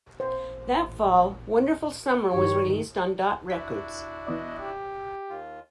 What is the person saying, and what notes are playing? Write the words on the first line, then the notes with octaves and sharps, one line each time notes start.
That fall, "Wonderful Summer" was released on Dot Records.
A1 A#2 C5
G2 D#3 G4 C#5
D4 E4 F#4 B6
E3 B3 D5 D#5
G4
D#2 F4